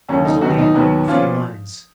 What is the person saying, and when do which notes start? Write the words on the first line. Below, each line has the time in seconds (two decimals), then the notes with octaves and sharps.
It was only a note, a few lines.
0.09 D#2 C#3 F#3 A#3 C#4
0.25 D#4
0.41 D#2 D#3 F#3 B3 D#4 F#4
0.58 D#4
0.74 D#2 D#3 F#3 B3
1.08 A#2 F3 B3 C#4 F4